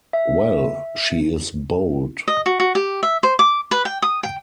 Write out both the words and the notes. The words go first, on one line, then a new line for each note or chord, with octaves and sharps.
Well, she is bold!
E5
D#5
F#4
F#4
G4
E5
C5
D6
B4
G5
D#6
G5